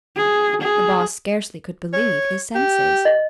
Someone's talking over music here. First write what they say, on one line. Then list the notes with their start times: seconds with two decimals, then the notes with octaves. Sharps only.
The Boss scarcely could believe his senses.
0.16 G#4
0.61 G#4
1.93 C#5
2.55 G4
3.05 D#5